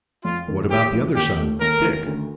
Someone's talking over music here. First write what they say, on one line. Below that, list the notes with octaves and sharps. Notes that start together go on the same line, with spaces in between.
"What about the other son--Dick?"
F2 F4
D#3
A#3 G4
F2
D#2 G4
A3
D#2 A#4
D#3
D2